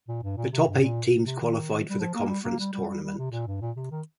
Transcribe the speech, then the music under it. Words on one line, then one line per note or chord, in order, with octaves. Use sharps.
The top eight teams qualified for the conference tournament.
A#2
G2
A#2
C3
G2
A#2
C3
D#3
G3
F3
A#3
G3
A#3
G3
G3
G3
G3
C3
A#2
G2
A#2
C3
D#3